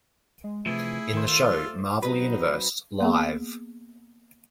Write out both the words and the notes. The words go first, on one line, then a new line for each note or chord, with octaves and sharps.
In the show Marvel Universe Live!
G#3
C3 E3 F3 A3 E4 G#4
D#3 A3 C5
F4 E6
D5
F#3 C4 D#4 F#4 B4
A#3 B3 G#4